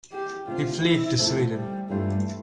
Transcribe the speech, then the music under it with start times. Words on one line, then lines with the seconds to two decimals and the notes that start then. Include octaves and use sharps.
He fled to Sweden.
0.12 G4
0.48 D3 A3 C4 F4
0.83 E4
1.19 F2 D3 F3 A3
1.54 G3
1.90 G2 E3 G3 A3 D4 F4